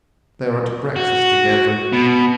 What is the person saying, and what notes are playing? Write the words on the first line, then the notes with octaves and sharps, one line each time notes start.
They are at breakfast together.
F#4
B2